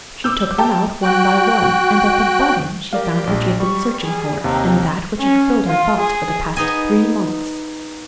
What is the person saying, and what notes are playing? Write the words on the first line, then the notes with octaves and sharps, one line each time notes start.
She took them out one by one and at the bottom she found what she had been searching for and that which had filled her thoughts for the past three months.
D6 E6 G6
G4 G5 A5 A#5 D6
F#4 G5 F#6
G4 A#4 D5 F5
A#1
G3 C#6
G#4
D#2 C3 D#4
C#4
F4
G#4
B3 D#4 G#4 D#5 G#5